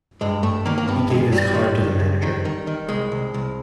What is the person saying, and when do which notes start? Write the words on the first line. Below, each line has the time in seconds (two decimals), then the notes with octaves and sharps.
He gave his card to the manager.
0.21 G2 G#3
0.43 G2 A3
0.66 D#3 A#3
0.78 A#3
0.88 G2 B3
1.10 G2 G#3
1.32 G2 G3
1.55 D#3
1.77 C#2
2.00 C#2
2.23 D#3
2.45 D#3
2.67 D#3
2.89 C2 G#3
3.12 C2
3.34 C2